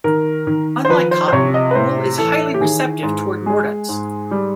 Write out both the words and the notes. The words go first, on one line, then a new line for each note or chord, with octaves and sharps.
Unlike cotton, wool is highly receptive toward mordants.
D#3 A#4
D#3
C5
F3 B4
C5
C5
C3 C#5
D#5
B4
A2 C5
E3 A4
G4
D#3 G#4
G#2
G#3 G#4
G#2
G3